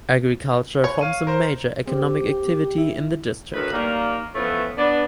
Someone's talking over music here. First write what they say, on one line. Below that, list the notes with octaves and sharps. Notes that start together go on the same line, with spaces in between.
Agriculture forms the major economic activity in the district.
C#5
F5 D#7
A#4 C5
C4 G4
E4
D2 A2 D#3 B4
D#3 G3 A#3
E3 F3 A3 B3 C#4
B3 D4